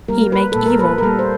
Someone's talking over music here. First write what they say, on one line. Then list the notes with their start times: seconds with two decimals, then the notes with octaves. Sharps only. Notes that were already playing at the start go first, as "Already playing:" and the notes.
He make evil.
0.09 G3 A#3 A#4
0.32 B4
0.52 A#2 A4
0.66 A#4
0.79 B4
0.98 A#4
1.02 G3 A#3 A4
1.19 C5